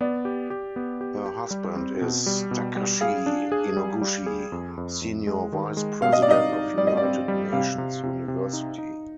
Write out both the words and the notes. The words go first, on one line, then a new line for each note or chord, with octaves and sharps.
Her husband is Takashi Inoguchi, senior vice president of United Nations University.
B3 D5
G4
G4
B3
G4
G4
G3
C4
B2
G3
B2
G3
G#4 F5
D4
G#4
G3
G3
G#4
F2
F2
F2
G#3
D#3
G#3
B2 F5
D#5
D5
D#4 D#5
D#4
G3 D5
D#5
D5
C4
G3
C3 F5
C3
C3
C3
D#4
D#4